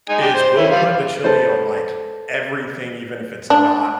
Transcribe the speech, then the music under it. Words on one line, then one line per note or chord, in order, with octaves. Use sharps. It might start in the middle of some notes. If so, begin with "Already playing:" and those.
is we'll put the chili on like everything, even if it's not
G#3 D#4 G#5
D4 G4
C5
C#4 E4
G3 F4 F5
A4 B4 C5
D4